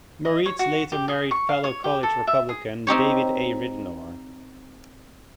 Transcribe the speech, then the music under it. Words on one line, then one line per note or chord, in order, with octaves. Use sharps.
Moritz later married fellow College Republican David A. Ridenour.
D#5
C#5
F#4
G4
G#4
C#6
F5
C#5
G4
A4
E5
G#4
C4 D#4 G4 C#5